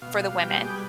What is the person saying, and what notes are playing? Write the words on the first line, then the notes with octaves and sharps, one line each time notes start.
for the women.
B2 F5
G3
G5
G3 G#4
B4